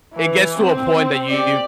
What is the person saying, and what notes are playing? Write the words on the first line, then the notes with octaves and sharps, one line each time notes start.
It gets to a point that you
E3
C4
G4 D5